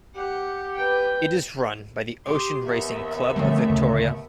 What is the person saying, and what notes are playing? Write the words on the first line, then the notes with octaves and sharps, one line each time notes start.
It is run by the Ocean Racing Club of Victoria.
G4 F#5
B4 G5
G4 C6 D6 D#6
D#2 B3 E5
D3 F3 G3 A3 C4 C#4
D2 G#2 C#3